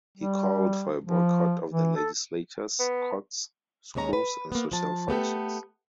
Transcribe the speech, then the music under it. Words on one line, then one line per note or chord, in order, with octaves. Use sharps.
He called for a boycott of the legislatures, courts, schools and social functions.
G3
F3
E3
A4
B3
D#2 G#3 C#4 C#5 A#5
B4
A#3 B3
F3 A5
A3 B3 G4 A4